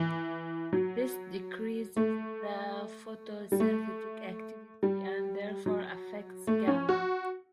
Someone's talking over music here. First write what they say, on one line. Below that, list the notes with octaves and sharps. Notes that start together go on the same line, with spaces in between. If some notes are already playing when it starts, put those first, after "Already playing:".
This decreases the photosynthetic activity and therefore affects gamma.
Already playing: E3
F#3
A3
G3
A3
G3
F#3
A3
C#4
F#4